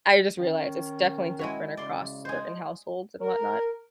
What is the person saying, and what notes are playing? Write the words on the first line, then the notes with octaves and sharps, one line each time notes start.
I just realized it's definitely different across certain households and whatnot.
D#3 C#4
G#3 E4 F#4
C#3 D5 C6
G#3 G#4 C5
A#4